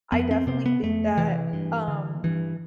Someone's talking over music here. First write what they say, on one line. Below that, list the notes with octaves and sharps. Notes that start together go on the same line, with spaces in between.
I, definitely, think that, um,
F2 B3
C4
C3 C4
B3
F2 A3
C3 E3
G2
D3
G2 E3